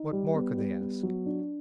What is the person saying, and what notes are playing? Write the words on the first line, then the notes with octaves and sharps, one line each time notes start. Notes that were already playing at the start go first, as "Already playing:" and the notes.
What more could they ask?
Already playing: D#4
G3
B3
G3
B3
F#3
D4